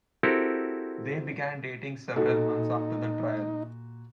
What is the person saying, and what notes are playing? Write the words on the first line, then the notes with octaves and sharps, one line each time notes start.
They began dating several months after the trial.
C4 E4 F#4 G4 A4 A#4
A#2 D#4 F#4 A4